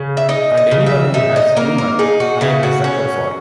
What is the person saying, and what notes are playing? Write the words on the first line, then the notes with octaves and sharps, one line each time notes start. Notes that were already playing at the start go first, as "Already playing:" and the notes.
And anyone who has humor I'm a sucker for.
Already playing: C#3
E5
D#4 D#5
D#5
C#3
E5
D#4 E5
D#5
A#3 A#4
A#4
D#4 G#4
F#4
C#3 E4
F#4
C#4